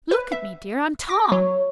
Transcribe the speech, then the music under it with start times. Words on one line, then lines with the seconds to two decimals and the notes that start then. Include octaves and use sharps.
Look at me, dear--I'm Tom.
0.11 B4
0.32 E5
1.09 D6 A#6
1.32 F#3 C#5